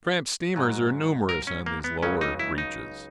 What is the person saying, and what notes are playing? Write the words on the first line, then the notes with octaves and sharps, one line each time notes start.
Tramp steamers are numerous, on these lower reaches.
G#2 F#3
A#4
C#4
A#3
B3
C#2 C#3 F#3 C#4
D#4
E4
D#4